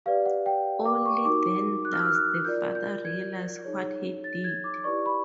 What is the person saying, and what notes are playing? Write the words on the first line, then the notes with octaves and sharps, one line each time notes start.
Only then does the father realise what he did.
G4 B4 D5 F5
F#5
G5
D6
C#6
D#4 F#4 A#4 D6
F#6
F6
E6
F6
F#6
F4 A#4 D5 G6
G6
G#6
D#4 G#4 C#5
A6
G#6
D6
E4 G4 B4 D5 C#6
B5